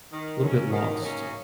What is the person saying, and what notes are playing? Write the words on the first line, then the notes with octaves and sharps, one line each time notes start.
little bit lost
D#3
F#3 A#3 C#4
D#3
F#3 A#3 C#4